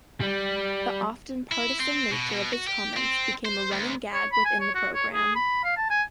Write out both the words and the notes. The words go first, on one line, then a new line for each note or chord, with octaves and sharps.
The 'often partisan nature of his comments' became a running gag within the programme.
G3
E4
C4
B2
B2
F#4
G4
C4
C5
D2
C#5
B5
G#5
C#5
F#4
C#5
G#4
B5
F5
A5
G#5